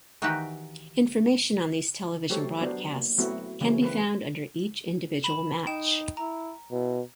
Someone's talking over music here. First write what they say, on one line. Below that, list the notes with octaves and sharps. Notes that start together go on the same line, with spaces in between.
Information on these television broadcasts can be found under each individual match.
D#3 E3 D#4 F#4 G4 B4
F#3 A3 G4 A4 C5 C#5
F#3 B3 D4 C5
A#3
F#3 A3 B3 C4 E4 F#4
C#3 E3 F#3 A3 C#4
E3 A#3 C4 B4
E3 B5 E7
D#4 G5 E7
E4 A#5
B2 E4